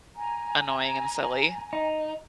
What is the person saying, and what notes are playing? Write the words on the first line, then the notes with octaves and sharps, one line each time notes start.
annoying and silly,
G#5 A#5
D#4